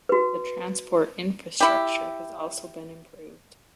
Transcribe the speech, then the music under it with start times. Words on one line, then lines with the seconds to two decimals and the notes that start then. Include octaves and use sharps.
The transport infrastructure has also been improved.
0.09 F#4 B4
1.60 E4 G4